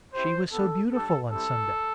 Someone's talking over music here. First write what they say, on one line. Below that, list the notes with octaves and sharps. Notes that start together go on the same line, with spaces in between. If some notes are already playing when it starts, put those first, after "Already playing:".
She was so beautiful on Sunday.
C4 E4 G4 C5
B3 D4 G4 A4
G3 D4 G4 A4
G3 C4 E4 G4 A4